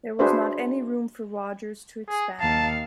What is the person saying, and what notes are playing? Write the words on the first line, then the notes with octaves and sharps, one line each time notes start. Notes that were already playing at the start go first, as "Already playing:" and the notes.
There was not any room for Rogers to expand.
D4 F#4 G#4 B4 C5 E5
G#4
D#2 F5 A5